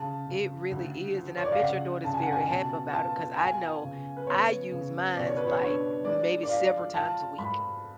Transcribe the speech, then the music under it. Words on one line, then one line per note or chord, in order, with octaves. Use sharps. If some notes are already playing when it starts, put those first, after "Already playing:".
It really is, and I bet your daughter's very happy about it 'cause I know I use mines, like, maybe several times a week.
Already playing: C#3 A5
C#3
D2
F3
C#5
D5
F5
C#3 F#5
C#3 A5
G#5
F#5
G#5
B2 A5
F4 A5
F4 G#5
C#3
B4
B3 C#5
C#3
B2 D5
C#5
B4
C#5
D4 C#5
G#3 D5
D5
F3 F5
F4 A5
G#2 B5